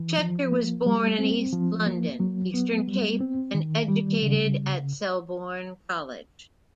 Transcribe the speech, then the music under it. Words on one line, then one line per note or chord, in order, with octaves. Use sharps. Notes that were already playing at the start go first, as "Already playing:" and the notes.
Scheckter was born in East London, Eastern Cape, and educated at Selborne College.
Already playing: E3
F3
A#3
G3
C4
F3
A#3
F#3
B3
G3
C4
D#3
G3
C#3